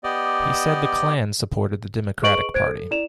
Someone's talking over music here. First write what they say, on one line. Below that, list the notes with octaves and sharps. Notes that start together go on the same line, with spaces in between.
He said the Klan supported the Democratic Party.
B3 G4 D5 D#5
G#4 B4 D#5 C#6 D7 F#7
C5 G#6 D7
A4
E4 D5 E7 F7